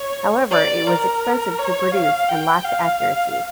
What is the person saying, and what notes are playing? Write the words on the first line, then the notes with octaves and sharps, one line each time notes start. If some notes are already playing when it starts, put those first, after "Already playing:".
However, it was expensive to produce and lacked accuracy.
Already playing: C#5
D5
A#4
C#5
F5
G5
F5